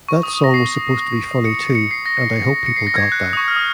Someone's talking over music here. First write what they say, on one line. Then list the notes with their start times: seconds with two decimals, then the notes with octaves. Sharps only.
That song was supposed to be funny, too, and I hope people got that.
0.09 C#6
0.23 D#6
0.33 D#6
0.44 A#6
0.54 C7
1.45 C#7
1.75 C#7
1.91 C7
2.06 A#6
2.66 C#7
2.76 C7
2.87 A#6
2.96 G#6
3.12 F#6
3.33 D#6
3.37 C#6
3.48 F6
3.56 D#6